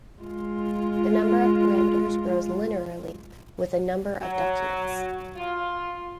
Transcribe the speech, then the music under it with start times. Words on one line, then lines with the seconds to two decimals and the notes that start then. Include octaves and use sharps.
The number of parameters grows linearly with the number of documents.
0.21 G#3 F4
4.20 F#3
5.36 F4